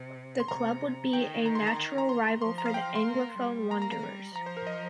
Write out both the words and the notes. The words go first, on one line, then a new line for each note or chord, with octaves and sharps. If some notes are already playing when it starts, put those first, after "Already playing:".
The club would be a natural rival for the anglophone Wanderers.
Already playing: C3
C6
C3 A#5
D#3 G5
A#5
C6
A#5
A#5
C6
F3 C6
A#5
F5
G5
C6
A#3
G3
A#3 A#5
A#5
A#5
G3
F3 A#5
C5
A#4
D#5